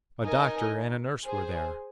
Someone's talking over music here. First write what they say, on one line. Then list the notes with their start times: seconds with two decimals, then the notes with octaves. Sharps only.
A doctor and a nurse were there.
0.23 D#4 A#4 D#5 G#5
1.25 G#4 C5 G#5